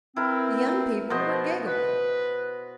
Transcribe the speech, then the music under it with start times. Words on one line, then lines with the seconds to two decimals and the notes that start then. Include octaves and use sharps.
The young people were giggling.
0.16 C4 E4 A#4 B4
1.10 B2 F3 C5 D#5
1.67 B4